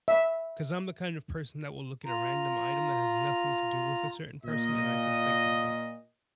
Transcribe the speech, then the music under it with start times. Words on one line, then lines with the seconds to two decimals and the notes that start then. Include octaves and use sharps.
'cause I'm the kind of person that will look at a random item that has nothing to do with a certain person, and I could think of them.
0.08 E5
2.06 F4 A#5
4.44 A#2 D#5